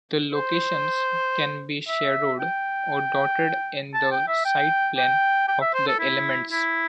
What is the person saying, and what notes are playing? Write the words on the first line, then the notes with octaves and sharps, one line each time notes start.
The locations can be shadowed or dotted in the siteplan of the elements.
C5
E5
G5
A5
G5
E5
G5
G5
G5
E5
C5
A4
E4
E4